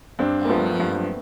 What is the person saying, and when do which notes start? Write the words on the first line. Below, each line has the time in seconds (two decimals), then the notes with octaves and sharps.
Oh yeah.
0.19 G2 C4 D4
0.45 A#3
0.49 F3 A3 B3
0.80 G2